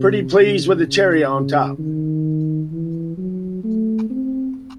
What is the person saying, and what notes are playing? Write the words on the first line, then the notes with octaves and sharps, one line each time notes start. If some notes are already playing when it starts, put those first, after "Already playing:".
Pretty please with a cherry on top!
Already playing: C3
C#3
C#3
C#3
D#3
E3
F#3
A3
C4